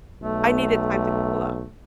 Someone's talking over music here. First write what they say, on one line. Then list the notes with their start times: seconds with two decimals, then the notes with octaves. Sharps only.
I needed time to cool off.
0.22 B1 A3